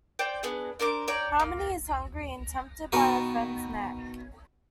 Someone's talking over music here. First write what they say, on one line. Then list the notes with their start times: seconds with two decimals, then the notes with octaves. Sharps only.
Harmony is hungry and tempted by her friend's neck.
0.19 C5 D5 G5
0.43 B3 D4 G#4
0.79 D4 A#4 C5 D6
1.08 C#5 D5 G5 A#5
1.40 A#3
2.92 B2 D#3 F#4 A#4 B4